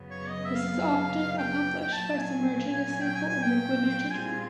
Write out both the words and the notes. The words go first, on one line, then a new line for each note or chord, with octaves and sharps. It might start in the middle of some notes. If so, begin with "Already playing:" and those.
This is often accomplished by submerging a sample in liquid nitrogen.
Already playing: F#2 C#3 F#3 B3
C#5
D#5
E5
F5
G5
A#2 F#3 A#3 C#4 A5
G#5
G5
G#5
G#5
G5
A#2 G3 C4 F4 G#4 G#5